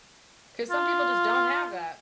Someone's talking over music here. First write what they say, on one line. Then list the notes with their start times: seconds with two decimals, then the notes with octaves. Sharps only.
'cause some people, just, don't have that.
0.70 F4